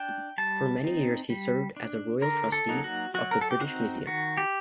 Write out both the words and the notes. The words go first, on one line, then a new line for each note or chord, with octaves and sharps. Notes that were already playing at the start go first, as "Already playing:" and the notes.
For many years he served as Royal Trustee of the British Museum.
Already playing: D4 G5
G3 A5
C4 D#4
G3
D4
D3 A#4
A4
F#3 A#3 D#4
F#4
F#3 F#4
A#4
A4
G4
C4 D#4 F#4
D#3 F#4
G4